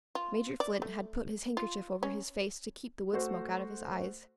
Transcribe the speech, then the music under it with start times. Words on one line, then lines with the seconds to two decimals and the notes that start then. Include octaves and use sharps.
Major Flint had put his handkerchief over his face to keep the wood- smoke out of his eyes.
0.15 F4
0.60 D5
0.82 A3
1.57 F4
2.03 C#4
3.13 A3 F#4 C5